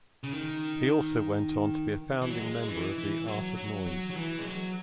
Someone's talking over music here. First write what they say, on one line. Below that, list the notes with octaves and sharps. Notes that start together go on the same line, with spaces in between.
He also went on to be a founding member of the Art of Noise.
C#3
D#3
E3
F#3
G#3
E3
E3
F#3
F#3
F#3
F#3
E3
G#3
F#3